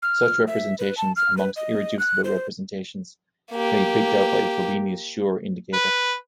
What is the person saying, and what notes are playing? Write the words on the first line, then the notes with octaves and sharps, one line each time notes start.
Such representations, amongst irreducible representations, can be picked out by the Frobenius-Schur indicator.
F6
E5
B4
A5
F6
B4
D#5
F#6
C5
A#3 G4
B4